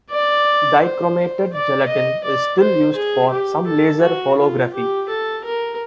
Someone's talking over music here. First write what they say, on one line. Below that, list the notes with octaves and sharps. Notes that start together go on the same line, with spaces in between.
Dichromated gelatine is still used for some laser holography.
D5
C5
D5
D#5
D5
C5
G#4
G4
A4
F#4
F4
G4
A4
A#4